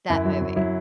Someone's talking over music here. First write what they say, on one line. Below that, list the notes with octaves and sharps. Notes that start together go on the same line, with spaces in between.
that movie.
F#2 E4
F#3
F#2
F#3 E4